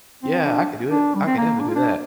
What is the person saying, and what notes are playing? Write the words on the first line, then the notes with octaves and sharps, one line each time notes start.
"Yeah, I could do it, I can definitely do that."
C4
D4
D4
G3
C4
A#3
D4
F4
D4